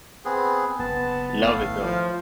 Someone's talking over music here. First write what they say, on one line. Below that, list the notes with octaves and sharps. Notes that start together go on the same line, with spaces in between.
Love it, though.
B3 C4 G#4
F#1 B3 A5
G#1 A2 F5
F3